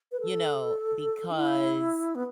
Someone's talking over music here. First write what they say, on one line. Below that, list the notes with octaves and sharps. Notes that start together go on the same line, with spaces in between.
You know, because,
B4
A4
D4
E4
B3